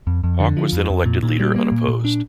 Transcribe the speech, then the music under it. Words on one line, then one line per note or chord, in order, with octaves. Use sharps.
Hawke was then elected leader unopposed.
F2
F2
D3
F3
F2
F2
A#2
A#2
G3
A#3
A#2
A#2
D4